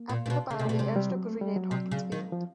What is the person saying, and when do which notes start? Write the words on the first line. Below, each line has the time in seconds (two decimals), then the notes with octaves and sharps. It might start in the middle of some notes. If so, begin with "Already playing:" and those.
After the battle the airstrip was renamed Hawkins Field.
Already playing: A#3
0.09 A#2
0.26 A#2
0.30 B2
0.51 C#3
0.59 C3
0.65 B2 A3
0.79 C3 G#3
0.96 G3
1.11 F#3
1.26 A3
1.41 G3
1.56 F#3
1.71 C3
1.91 C#3
2.12 D#3
2.32 F3